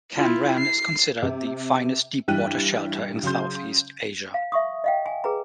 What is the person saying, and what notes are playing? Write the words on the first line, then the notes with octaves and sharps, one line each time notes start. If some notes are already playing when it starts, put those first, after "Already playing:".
Cam Ranh is considered the finest deepwater shelter in Southeast Asia.
E4 F4
C7
C3
G2 E3 G3 G5 F#6 D#7
C#3 F#3 C6 G6
F5
E5 C#6 D#6
D#5 F5 G5
G#5
G#4 B4 A#5